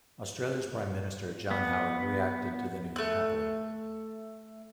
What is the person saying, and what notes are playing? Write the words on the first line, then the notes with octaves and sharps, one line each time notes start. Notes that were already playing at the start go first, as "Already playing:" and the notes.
Australia's Prime Minister John Howard reacted to the news happily.
B3
A3 F#6